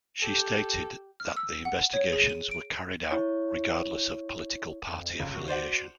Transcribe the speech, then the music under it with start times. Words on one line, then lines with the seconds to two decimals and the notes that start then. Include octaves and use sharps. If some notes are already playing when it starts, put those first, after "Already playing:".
She stated that the investigations were carried out regardless of political party affiliation.
0.22 G4 A4
1.20 F6
1.37 E6
1.65 F#5
1.93 C#5
2.13 G#4
2.29 D#7
2.51 D7
3.11 E4 C#5
4.87 F2
5.20 C#2
5.34 F#4
5.48 C5 D5 F#5